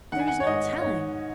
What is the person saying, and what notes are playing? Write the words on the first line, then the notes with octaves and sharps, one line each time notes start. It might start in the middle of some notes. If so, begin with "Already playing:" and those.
'There is no telling.
D#3 F#5
G#5
F#5
C#5
G#2 D#5
G#2 C#5